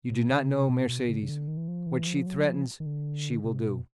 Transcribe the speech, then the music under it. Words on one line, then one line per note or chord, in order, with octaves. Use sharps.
"You do not know Mercedes; what she threatens she will do."
B2
C#3
C3
B2
C#3
C#3
D3
D#3
E3
F3
E3
F3
F#3
F3
D#3
D3
C3
B2